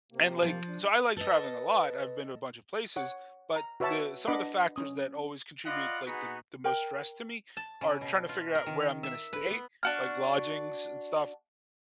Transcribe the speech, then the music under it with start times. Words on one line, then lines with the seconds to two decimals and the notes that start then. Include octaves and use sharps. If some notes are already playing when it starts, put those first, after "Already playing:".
and, like So I like traveling a lot. I've been to a bunch of places, but the some of the factors that always contribute, like, the the most stress to me are tryna figure out where I'm gonna stay, like, lodgings and stuff,
0.12 C3 A#3
0.43 F3
0.68 D4
1.17 A4 B4 D#5
2.96 C#5 F#5
3.56 A#5
3.80 F#4 B4 C#5 E5 F#5 A5
4.27 D4 B4 D#5 F#5 B5 D6
4.76 C#4 D#6
5.66 F4 B4 D5 D#5 F#5
6.06 B3 D#4 F#4 G#4 B4
6.64 A#4 G5
7.57 A5
7.81 C#3
8.01 B2
8.29 F4
8.55 A#4
8.66 D#3
9.03 E5
9.33 B4
9.51 B3
9.83 D4 F#4 F6